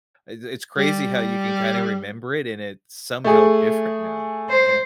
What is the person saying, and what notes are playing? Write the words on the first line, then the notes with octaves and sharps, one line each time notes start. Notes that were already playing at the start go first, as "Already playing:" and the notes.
uh, it's crazy how you can kinda remember it, and it's somehow different now.
G3
A3 G#4
C5